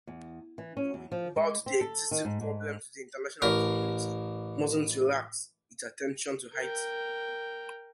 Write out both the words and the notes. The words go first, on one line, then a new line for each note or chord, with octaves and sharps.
Knowing about the existing problems the international community mustn’t relax its attention to Haiti.
E2
E3
C#4
E2
F3
G#3
C4
A4
D#3
G#2
G#2
A1 A#4
A#4 G5